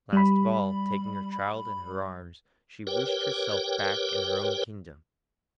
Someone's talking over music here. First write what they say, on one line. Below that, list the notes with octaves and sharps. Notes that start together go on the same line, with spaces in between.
Last of all, taking her child in her arms, she wished herself back in her own kingdom.
G3 B5
G4 A#4 B4 C#5 G5